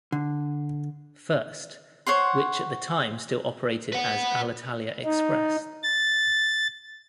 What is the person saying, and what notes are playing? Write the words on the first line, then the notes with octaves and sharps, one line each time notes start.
First, which at that time still operated as Alitalia Express.
D3
C5 C#5 F#5 C6
B4 F#5
D#4
A6